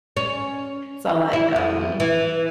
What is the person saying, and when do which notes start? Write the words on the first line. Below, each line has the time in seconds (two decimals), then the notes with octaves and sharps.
So, like, um
0.17 C#4
1.33 E4
1.56 F2
2.00 E3